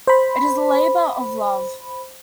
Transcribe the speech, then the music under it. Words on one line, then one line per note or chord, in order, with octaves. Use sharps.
It is a labor of love.
C5 B5